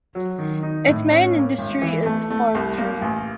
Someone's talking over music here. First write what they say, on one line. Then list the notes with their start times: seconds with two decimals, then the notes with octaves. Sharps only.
Its main industry is forestry.
0.15 F#3
0.38 D#3
0.63 D#4
0.87 A2
1.11 C#4
1.34 A#3
1.58 G#1
1.82 E3
2.06 A3
2.30 A3
2.55 C2
2.78 A#3
3.02 A1